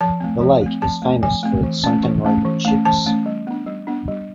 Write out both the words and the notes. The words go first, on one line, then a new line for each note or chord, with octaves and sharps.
The lake is famous for its sunken Roman ships.
F3 A5
A3 C4
F3
A3 C4
F3 A5
A3 C4
F3 G#5
A3 C4
E3
A3 C#4
E3
A3 C#4
E3
A3 C#4
E3 A5
A3 C#4
G3
B3 D4
G3
B3 D4
G3